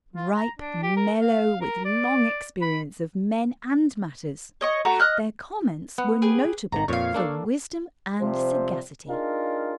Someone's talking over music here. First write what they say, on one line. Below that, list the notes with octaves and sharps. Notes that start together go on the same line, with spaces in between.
Ripe, mellow with long experience of men and matters, their comments were notable for wisdom and sagacity.
F4
A#5
D4
G4
A#4
F5
A#4
D5
B5
C#5 D#5 C#6
A3 F#4 A#5 E6
D#5 F6 F#6
B3 F#5
G4 G#4 B4
G#1 D#3 A#5
F2 A#2 C#5 F5
A#3 D4 A4
C3 F3 G3 C5
D4 D#4 F4 G#4 A#4